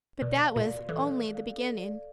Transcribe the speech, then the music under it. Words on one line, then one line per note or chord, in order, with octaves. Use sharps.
But that was only the beginning.
B2 D5
F5
A#2
D5
E3 A4
A4
F5
A4
D5